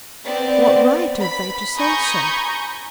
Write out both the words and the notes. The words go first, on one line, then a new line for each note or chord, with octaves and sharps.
What right have they to say so?
B3 C4 D5
B5 B6
G#5 A#5 B5 C#6 D#6 G6